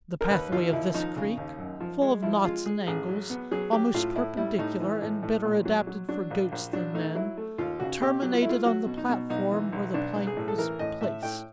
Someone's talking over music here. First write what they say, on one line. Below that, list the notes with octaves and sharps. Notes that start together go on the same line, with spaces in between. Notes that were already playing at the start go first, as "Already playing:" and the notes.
The pathway of this creek, full of knots and angles, almost perpendicular, and better adapted for goats than men, terminated on the platform where the plank was placed.
A#4
D#2 B4
D#2 F4
D#2 E4
F3 D#4
C#3
D#2
F#2
F3
G#3
F3 E4
G#3 F4
G#3 G#4
A1 G#4
F#3
B3
F#3 G#4
F#3 G4
A2 F4
A2 E4
G3 E4
A2 D#4
E3
A2
A2
A#2
F#3
F#3
F#3 D4
A#1
A#1
F#3 D4
A3 D#4
F#3 E4
A3
D#2 F4
C#3 F#4
B2 G4
F#3
F4
A3 E4
F4
F#3 F#4
B2
D#4
B2
B1 D#4
E3
B1
B1 D4
B1
G#4
A2
A4
E3 A#4
A2 D#5
A2 E5
A2 G5